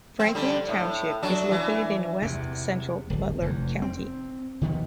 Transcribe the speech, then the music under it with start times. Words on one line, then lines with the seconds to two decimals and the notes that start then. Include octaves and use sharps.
Franklin Township is located in west-central Butler County.
0.20 C4
0.35 D3 G3
0.69 A2
1.22 F#3 D4
1.51 E3
2.22 E2 C3
3.10 D1 G1
3.42 F1 E2
3.82 C4
4.61 D#2 D#3 F3 B3